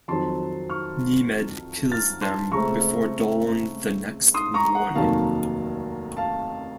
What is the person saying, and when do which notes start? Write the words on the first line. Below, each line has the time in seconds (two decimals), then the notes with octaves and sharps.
Nemed kills them before dawn the next morning.
0.08 F2 D#3 F#3 C4 A5 C6
0.69 C#6 F6
1.92 F6 A6
2.22 A5 C6
2.52 C#2 C#3 A3 C4 A#5 C#6
4.34 C6 D#6
4.54 A#5 C#6
4.75 F#5
4.95 F1 D#2 D#3 F#3 A#3 F5 A5
6.17 F5 A5